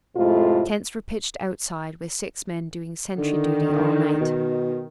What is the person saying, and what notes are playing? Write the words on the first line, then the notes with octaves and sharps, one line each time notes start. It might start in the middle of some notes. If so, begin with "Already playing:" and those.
Tents were pitched outside with six men doing sentry duty all night.
F2 A2 C3 G#3 F4
D3 D#3
B2